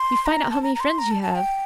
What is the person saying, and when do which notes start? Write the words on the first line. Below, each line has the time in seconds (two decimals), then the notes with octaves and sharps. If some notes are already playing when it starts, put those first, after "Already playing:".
You find out how many friends you have.
Already playing: C6
0.26 A#5
0.51 A5
0.63 A#5
0.75 A#5
0.80 C6
0.98 A#5
1.11 A5
1.23 A5
1.36 G5